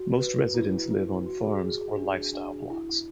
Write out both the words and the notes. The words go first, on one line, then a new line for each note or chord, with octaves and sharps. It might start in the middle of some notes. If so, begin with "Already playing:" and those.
Most residents live on farms or lifestyle blocks.
Already playing: F#4
B4
E4
E4
F#4
G#4
G#4
D4
D4
E4